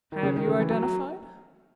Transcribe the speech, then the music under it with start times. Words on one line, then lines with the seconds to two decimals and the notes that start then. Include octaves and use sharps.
'HAVE you identified?'
0.12 D#3
0.23 C#3
0.36 D#3
0.47 C#3
0.60 E3
0.70 F#3
0.83 F#3